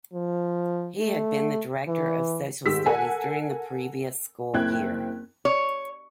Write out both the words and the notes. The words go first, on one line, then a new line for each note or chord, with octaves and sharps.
He had been the Director of Social Studies during the previous school-year.
F3
A3
E3
G#2 D#3 G4 E6 B6
A4 A#4 F#5 G#5
F#1 C4 E4 G5 F#6 G#6
C#5